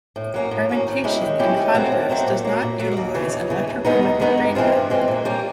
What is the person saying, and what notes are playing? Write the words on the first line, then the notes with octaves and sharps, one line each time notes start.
Fermentation, in contrast, does not utilize an electrochemical gradient.
A2
F#3 A#3 C#4
A2
F#3 A#3 C#4
D#3
G#3 C#4 E4 G4
D#3
G#3 C#4 E4 G4
D#3
F#3 A3 C4
D#3
F#3 A3 C4
A#2
F#3 A#3
A#2
F#3 A#3
D#2
C#3 E3
D#2
C#3 E3
D#2
D#3 G#3 B3 D#4
D#2
D#3 G#3 B3 D#4
G2
E3 G#3 C4 F4
G2
E3 G#3 C4 F4
A#2
G3 A#3 C#4